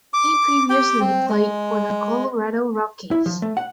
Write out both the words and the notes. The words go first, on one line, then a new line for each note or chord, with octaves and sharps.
He previously played for the Colorado Rockies.
D6
G4 G5
C4
G#3
E4
F3
A3
F#5